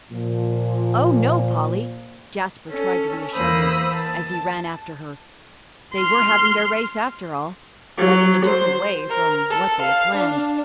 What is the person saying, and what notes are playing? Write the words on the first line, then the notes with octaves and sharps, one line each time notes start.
"Oh, no, Polly," Jasper tried to reassure her, as he ran after her. They were having their race, after all, but in a different way from what they had planned.
A#2 F3
C#4 A4
E2 A#3 C5 B5 D#6 E6
A5
C6 F6
F#3
C5
A#4
A4
F5
D4